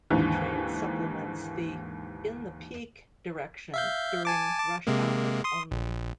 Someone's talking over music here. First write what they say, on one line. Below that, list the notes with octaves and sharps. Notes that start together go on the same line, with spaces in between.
The train supplements the in the peak direction during rush hours only.
D#2 G#2 D3 E3
E5 F5 G6
G#5 A5 D6
A5 D6
C3 G#3 A#3
C6 D#6
A#1